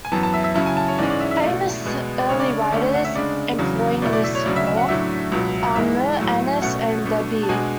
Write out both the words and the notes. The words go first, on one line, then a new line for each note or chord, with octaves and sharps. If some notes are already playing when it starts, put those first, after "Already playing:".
Famous early writers employing this form are Mir Anis and Dabeer.
G#5
F#2 E3 B3 A5
A5
E5
E5
C#3 F#3 C#4 E4 A5
G#5
A5
C#5
G#2 E3 G#3 C#4 D5
D5
E5
E5
B2 A3 E4 D5
B2 G#3 B3
D5
C#3 G#3 D4 C#5
D5
D5
D5
D2 D3 A3 C#4 D5
F#5
E5
C#3 G#3 D4 D5
E2 C#3 F#3
B2 A3 E4 D5
D5
E5
C#5
D2 C#3 F#3 D5
E5
E5
F#5
A2 F#3 A3 D4 E5
C#2 B2 F#3
G#2 E3 G#3 E5
A2 F#3 A3
B2 A3 C#4 F#5
B2 A3 D4
A5
B2 G#3 D4 G#5